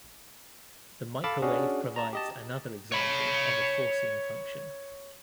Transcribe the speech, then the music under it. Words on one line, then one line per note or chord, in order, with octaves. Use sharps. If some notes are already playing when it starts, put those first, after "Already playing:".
The microwave provides another example of a forcing function.
A4 F5 A5 B5 D6 A6
C#4 D4 F#4 G#4
A5 A#5
G4 D#5 A5
C#5 B5